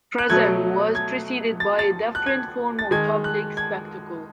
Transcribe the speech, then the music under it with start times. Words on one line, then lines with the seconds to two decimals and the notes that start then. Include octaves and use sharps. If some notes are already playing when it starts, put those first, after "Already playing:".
Prison was preceded by a different form of public spectacle.
0.18 F#6
0.30 B2 F#3 A3 G#6
0.95 G#6
1.60 A6
1.79 A6
2.15 F#6
2.26 G#6
2.79 A6
2.91 D#3 G#3 G#6
3.24 F#6
3.57 G#6